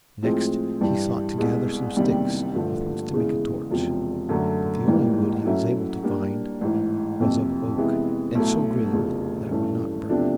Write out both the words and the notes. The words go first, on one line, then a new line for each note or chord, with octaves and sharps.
Next he sought to gather some sticks with which to make a torch, but the only wood he was able to find was of oak and so green that it would not burn.
A2 F3 G#3 C4
G2 E3 G3
C2 B2 G#3
F#1 E2 C3 D#3 G3
G2 D3 F3 A3
E2 C#3 E3 G#3
E1 E2 C3 F3
F#2 D3 F#3 A3
A1 G#2 E3 G3 A#3
A2 F#3 A3 C#4 E4
A#2 G3 A#3 D4 G4
A1 G#2 E3
F#1 F2 C3
C3 E3 G#3 B3 E4
B1 A2 F#3 A3
F1 E2 C#3 F3
G2 E3 A3 C#4
E2 C3 F3 A3 D4